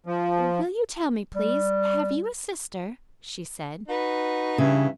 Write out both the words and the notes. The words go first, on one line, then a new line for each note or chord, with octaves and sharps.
"Will you tell me, please, have you a sister?" she said.
F3
G3
D#4 F#4 B4
G2 C#3 E3 E5